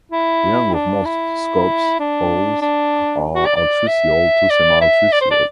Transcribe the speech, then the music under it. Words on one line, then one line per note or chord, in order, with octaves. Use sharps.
The young of most scops owls are altricial to semialtricial.
E4
D4
E4
D4
D4
F#4
D5
D5
E5
D5
E5
D5
C5
D5